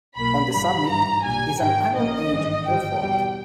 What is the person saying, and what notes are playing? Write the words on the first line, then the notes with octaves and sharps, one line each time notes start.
On the summit is an Iron Age hillfort.
B1 A#2 A#3 B5
G#1 G2 E3 G3 B5
G#1 G2 E3 A#5
B1 A#2 G3 G#5
G#2 D#3 G3 G5
A#1 A#2 A#3 C#4 D#5
G#1 G2 E3 G#3
G1 G2 G3 G5
E2 B2 G3